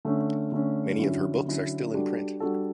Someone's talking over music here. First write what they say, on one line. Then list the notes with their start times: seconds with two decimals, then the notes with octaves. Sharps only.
Many of her books are still in print.
0.05 D3 A3 C#4
0.52 D3 A3 C#4
0.99 D3 F#3 C#4 E4
1.46 D3 F#3 C#4 E4
1.93 G3 D4 F#4 A4
2.40 G3 D4 F#4 A4